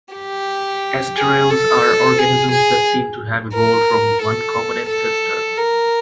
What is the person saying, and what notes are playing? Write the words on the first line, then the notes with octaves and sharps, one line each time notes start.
Asterales are organisms that seem to have evolved from one common ancestor.
G4
G#4
A4
G#4
G#4
A#4
A4
A4
A#4